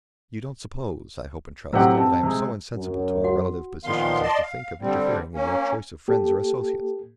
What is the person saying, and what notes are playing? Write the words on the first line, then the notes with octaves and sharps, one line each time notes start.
You don't suppose, I hope and trust, that I am so insensible to our relative positions as to think of interfering in your choice of friends or associates.
A2 C3 F#3 C4 G4 F#5
C4 A5
C3 G#3
F#2
F#4 F#5
A#2 D#3 F3 B3 F5 C6
D5 D#5 A5 C6
F5
D3 G3 C4
A#3 C#4
A#3 G4 A4